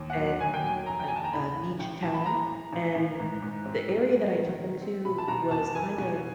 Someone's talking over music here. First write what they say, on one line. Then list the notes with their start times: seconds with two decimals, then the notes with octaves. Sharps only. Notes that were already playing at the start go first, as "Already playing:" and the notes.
and a a beach town, and the area that I took them to was kind of
Already playing: D#2
0.10 F#5
0.17 F#3
0.40 D#2 G#5
0.54 G5
0.64 F#3 G#5
0.86 F1 A#5
1.00 G5
1.08 D#2 G#5
1.16 A5
1.24 A#5
1.33 A1 B5
1.56 A1
1.79 A1 G5
2.03 A1 A5
2.14 B5
2.26 E3 A#5
2.50 E3
2.73 A1
2.95 A1
3.20 G#2
3.42 G#2
3.66 C4
3.88 G#2
4.12 G3
4.35 D#3
4.59 D#3
4.82 C4
5.05 B2 B5
5.18 A5
5.28 B2 A#5
5.51 E2 A5
5.75 F1 G#5
5.98 B2